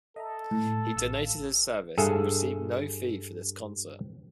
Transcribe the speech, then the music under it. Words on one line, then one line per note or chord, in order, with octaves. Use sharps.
He donated his services and received no fee for this concert.
A4 D#5 E5 A#5
A2
A1 F5 E6
G2 G#4 A4 E5 F5